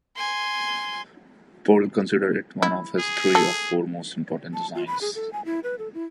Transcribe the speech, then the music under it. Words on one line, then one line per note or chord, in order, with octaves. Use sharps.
Pearl considered it one of his "three or four most important" designs.
G#5 C6
E4
G#4
A4
A5
F4
B5
G#4
A4
G#5
E4
B4
A4
E4